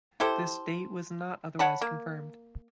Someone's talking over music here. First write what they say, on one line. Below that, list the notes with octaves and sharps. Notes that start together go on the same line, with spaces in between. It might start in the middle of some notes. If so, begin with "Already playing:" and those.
This date was not otherwise confirmed.
E4 G4 A4 C5
C#5 F#5 A5 B5
A#3